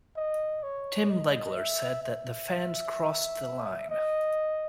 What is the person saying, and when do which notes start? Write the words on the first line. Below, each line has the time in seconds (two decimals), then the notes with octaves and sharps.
Tim Legler said that "the fans crossed the line".
0.16 D#5
0.63 C#5
1.10 D#5
1.56 E5
2.03 E5
3.90 D#5